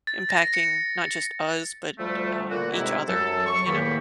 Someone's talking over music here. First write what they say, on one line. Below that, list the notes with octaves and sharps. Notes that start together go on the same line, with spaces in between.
impacting, not just us, but, uh, each other. You know?
A6
A#6
C#7
D2 F3 G3 A3
A#2 D3 F#4
G#2 C3 G#3 D#4 E4
F#2 F#3 A4
C#6
E2 A2 D#3 A#3 G4 B5